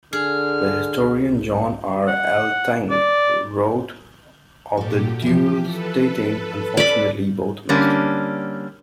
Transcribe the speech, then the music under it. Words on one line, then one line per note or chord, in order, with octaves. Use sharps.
The historian John R. Elting wrote of the duel, stating, Unfortunately, both missed.
D3 G#4 F6
F#5
D5
A#2 F#4 G4 A4
E3 F3 G4
A4 B4
C#4 D5 B5
D3 G3 A#3 C#4 D4